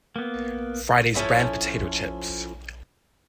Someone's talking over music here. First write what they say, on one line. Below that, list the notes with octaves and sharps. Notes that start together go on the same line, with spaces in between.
Friday's brand potato chips.
A#3 B3
F3 C#4 E4 A4